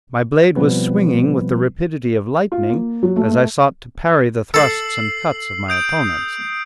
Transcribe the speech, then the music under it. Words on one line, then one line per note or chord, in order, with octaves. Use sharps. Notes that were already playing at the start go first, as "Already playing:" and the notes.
My blade was swinging with the rapidity of lightning as I sought to parry the thrusts and cuts of my opponents.
B2 F3 G3 B3 C4 B4
F4
A#3
F#3
A3
A3
A4 A5 E6 C7 F#7
D#6 G6 D7